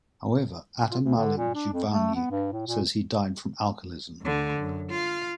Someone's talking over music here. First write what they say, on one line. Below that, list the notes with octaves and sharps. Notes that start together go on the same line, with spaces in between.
However, Ata-Malik Juvayni says he died from alcoholism.
F4
D2
D3
A#2
D4
F2
A3
B3
G2
A2
A#2
D2 D3
F#2
F4 F5